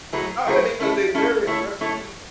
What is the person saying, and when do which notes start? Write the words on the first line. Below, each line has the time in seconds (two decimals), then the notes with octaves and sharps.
however because they're very aggressive people.
0.13 F#3 A3 E4 G#4 B4
0.47 F#3 A3 E4 G#4 B4
0.79 A3 C#4 E4 A4
1.14 A3 C#4 E4 A4
1.47 A3 E4 A4 C#5
1.81 A3 E4 A4 C#5